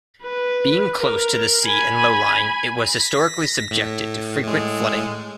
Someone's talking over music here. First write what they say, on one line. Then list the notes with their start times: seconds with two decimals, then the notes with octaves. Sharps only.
Being close to the sea and low-lying, it was historically subjected to frequent flooding.
0.23 B4
0.99 A#4
1.65 G#5 B5
2.93 A#6 B6
3.71 A2
4.44 A2 G#3